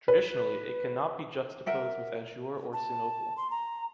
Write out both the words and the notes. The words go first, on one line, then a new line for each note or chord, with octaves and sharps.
Traditionally, it can not be juxtaposed with azure or sinople.
B4
A#4 E5 F#5
A5
C6
A#5